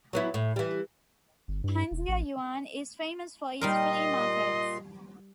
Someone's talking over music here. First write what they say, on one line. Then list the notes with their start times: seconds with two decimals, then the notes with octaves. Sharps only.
Panjiayuan is famous for its flea markets.
0.13 F#3 B3 E4
0.34 A2
0.56 E3 G3
1.48 G1
1.64 G2
1.91 E1
2.08 A1
3.61 A#2 G3 D#4 A#4 D#5 C6